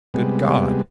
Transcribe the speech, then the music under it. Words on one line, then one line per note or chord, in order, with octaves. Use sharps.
"Good God!"
C3 G3 G#3 B3